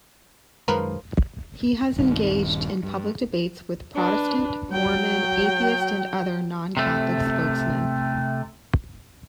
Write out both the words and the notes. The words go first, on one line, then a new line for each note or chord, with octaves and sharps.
He has engaged in public debates with Protestant, Mormon, atheist, and other non-Catholic spokesmen.
F#2 D#3 F3 G#3 A#4 B4
D#1 G2 D#3 C4
G2
D4 B4
F#3 G5
C3 A3